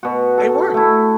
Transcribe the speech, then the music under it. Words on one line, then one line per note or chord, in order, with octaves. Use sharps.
They were.
B2 F#4
A4
A3 E4